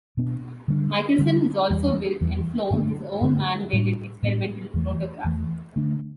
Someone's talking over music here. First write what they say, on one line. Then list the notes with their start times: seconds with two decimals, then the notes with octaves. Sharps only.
Michelson has also built and flown his own man-rated experimental rotorcraft.
0.17 B2 B3 D4
0.68 D3 G3 B3 D4
1.19 D3 G3 B3 D4
1.70 E2 E3 G3
2.21 E2 E3 G3
2.70 G2 D3 A3 D4
3.21 G2 D3 A3 D4
3.73 A2 G3 B3 D4
4.23 A2 G3 B3 D4
4.74 E2 E3 A3
5.24 E2 E3 A3
5.76 D3 A3 D4